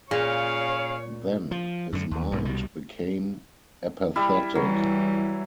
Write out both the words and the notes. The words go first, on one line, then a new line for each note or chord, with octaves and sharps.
Then his mind became apathetic.
A#2 C#3 G#4 C#5 F5
F3
F#2 D3
D#2
B1 G#2 B2 F#3
C2 B2 G3
G3 E4
E3 F#3 G3